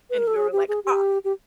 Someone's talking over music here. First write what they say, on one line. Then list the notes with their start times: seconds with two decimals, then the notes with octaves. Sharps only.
And we were like, "Ah."
0.10 B4
0.18 A#4
0.27 A4
0.36 G#4
0.52 G4
0.68 G#4
0.85 G4
1.24 G4